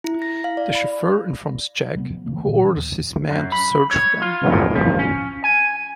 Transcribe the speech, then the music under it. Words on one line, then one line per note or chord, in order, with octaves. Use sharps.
The chauffeur informs Jack, who orders his men to search for them.
E4
A#6
F5
D5
B5
C3 G3 G#3 B3
F3
C#3 E3 A3 A#3
A#2 D3 E3 B3
E3
D#2
F#2
B5
C#5
F4
A2
F3
C#4
G#5